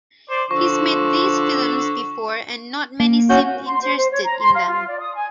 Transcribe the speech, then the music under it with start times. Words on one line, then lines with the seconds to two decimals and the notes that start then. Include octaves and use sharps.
He's made these films before and not many seemed interested in them.
0.30 C5 D5
0.51 D3 F3 C#6
3.00 A#3
3.30 C#4 F#4 G6
3.67 C6
3.81 C5
3.97 C5
4.11 C#5
4.24 A#5
4.40 C6
4.53 F5
4.67 F4
4.88 D5
5.00 D#6
5.15 G#5